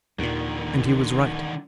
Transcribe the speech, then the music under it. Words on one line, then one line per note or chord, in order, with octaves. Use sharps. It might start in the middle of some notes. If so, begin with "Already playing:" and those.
And he was right.
D#2 A#2 D3 D#3